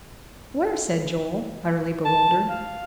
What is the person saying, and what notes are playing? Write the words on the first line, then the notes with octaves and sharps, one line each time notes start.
"Where?" said Joel, utterly bewildered.
A5
F5